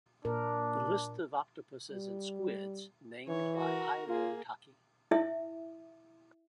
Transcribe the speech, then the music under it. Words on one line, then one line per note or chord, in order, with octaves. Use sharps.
The list of octopuses and squids named by Iwao Taki.
A#2 D4 A#4
G3
E3 C#5
F#4 A#4
A#3 F4 G#4
E4 E5